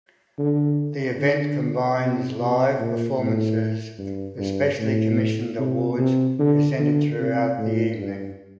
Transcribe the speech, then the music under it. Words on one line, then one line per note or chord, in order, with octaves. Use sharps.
The event combines live performances with specially commissioned awards presented throughout the evening.
D3
D3
C3
C3
A#2
A2
G2
G2
A2
C3
C3
D3
D3
C3
A2
G2